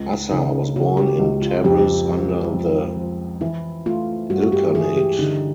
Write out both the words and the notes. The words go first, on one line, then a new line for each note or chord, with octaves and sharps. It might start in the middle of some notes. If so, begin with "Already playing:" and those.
Assar was born in Tabriz under the Ilkhanate.
Already playing: C#2
C#3 D#4
C#3 F#4
G4
C#2
F4
F2 G4
F3
F2
F3
E3 E4
A3 F4
G2 F#4
G4
E3 G#4
G4
D3 D#4